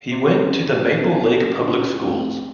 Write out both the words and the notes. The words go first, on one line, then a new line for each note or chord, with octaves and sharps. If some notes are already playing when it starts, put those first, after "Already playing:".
He went to the Maple Lake public schools.
C3
F#2
B1
F#1
D3
C#2
F1